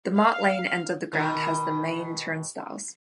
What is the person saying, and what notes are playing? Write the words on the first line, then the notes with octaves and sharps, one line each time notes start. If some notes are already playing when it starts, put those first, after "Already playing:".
The Mart Lane end of the ground has the main turnstiles.
F5
B2 D#3